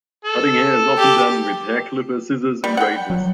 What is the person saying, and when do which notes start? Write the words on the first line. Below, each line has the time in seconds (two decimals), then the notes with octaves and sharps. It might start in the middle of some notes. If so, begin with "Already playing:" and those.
Cutting hair is often done with hair clipper, scissors and razors.
0.25 A4
0.98 G4
2.64 G3
2.77 F#5 G5
3.10 F#3